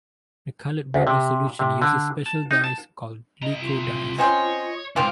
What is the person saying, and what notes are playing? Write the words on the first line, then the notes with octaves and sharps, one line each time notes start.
The colored bubble solution uses special dyes called leuco dyes.
D2
C3
C3
D3
A5
D#4
A5
C2 D#5 A#5
F4
C4 C#4 C5 C#5 D#5 C#6
C2 G#2 F3 C4 D6 F6